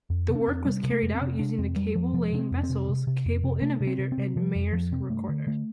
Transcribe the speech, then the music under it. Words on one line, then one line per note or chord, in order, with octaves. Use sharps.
The work was carried out using the cable-laying vessels "Cable Innovator" and "Maersk Recorder".
F2
C3
D4
C4
F2
C3 G3
C3
A3
F2
C4
C3
C3 D4
F2 C4
F2 G3
F2 F3
C3 F3
C3 D4
C4
F2
C4
C3
C3
C3
F2
C3
C3 A3
C3
C4
C3
C4
C3
C3 F3
F2
F2 F3
C3 C4
G2 A3
D3
D3 A3